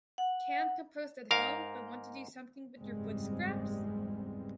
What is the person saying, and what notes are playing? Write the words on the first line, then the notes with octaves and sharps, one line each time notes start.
Can’t compost at home, but want to do something with your food scraps?
F#5
G#2 A#4 F5
F#1 E2 G#2 G3 G#3 C4